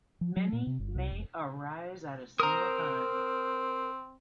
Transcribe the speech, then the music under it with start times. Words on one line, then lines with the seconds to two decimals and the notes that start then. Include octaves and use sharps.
Many may arise at a single time.
0.21 F3
0.37 F#3
0.53 A#2
0.67 C3
0.79 G1
0.95 C2
1.11 F1
2.40 C4 A#4 C5 A#5 D#6